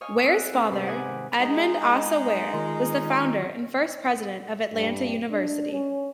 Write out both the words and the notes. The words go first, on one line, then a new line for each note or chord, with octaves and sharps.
Ware's father, Edmund Asa Ware, was the founder and first president of Atlanta University.
C#5 D#5 F5 G#5
C4 C6 E6 F#6
B3 C#4 A#4
G#2 C3 G4 C5 B5 C6
D#4 F#5 G#5 D6
D#3
G#3 D#4
D#3 F4
G2
D4
C#4